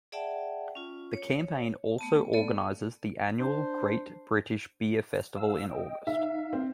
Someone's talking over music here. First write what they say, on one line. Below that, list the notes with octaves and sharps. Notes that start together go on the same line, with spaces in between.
The Campaign also organises the annual Great British Beer Festival in August.
G#4 D5 E5 F#5 G5 A5
C#4 F4
C#5
A3 B3 A5
A3 B3 A4 D5
D4 C5
F5 E6
D#5 G5
D#4 E5 F5
C4